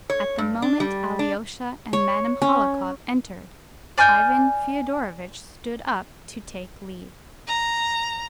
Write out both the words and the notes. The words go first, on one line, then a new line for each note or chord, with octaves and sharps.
At the moment Alyosha and Madame Hohlakov entered, Ivan Fyodorovitch stood up to take leave.
C#5
G2
D4
G3
D4
C#5
C#4
D5 G#5 F6 G6
A#5